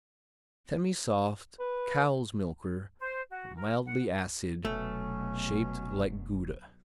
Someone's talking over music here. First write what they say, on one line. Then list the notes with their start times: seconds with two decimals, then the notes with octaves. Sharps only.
Semisoft cow's-milker, mildly acid, shaped like Gouda.
1.60 B4
2.98 C5
3.30 F#4
3.56 A#4
3.86 F#5
4.65 F1 B2 F#3 A3 C#4